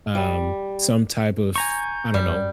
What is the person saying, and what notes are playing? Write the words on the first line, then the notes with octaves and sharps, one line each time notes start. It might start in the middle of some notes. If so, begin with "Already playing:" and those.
um, some type of, I don't know,
G3
G#5 A#5 C#6 G6
F#2 G3